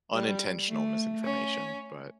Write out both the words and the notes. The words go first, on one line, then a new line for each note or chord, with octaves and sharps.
unintentional misinformation, but
G3
A3
C#4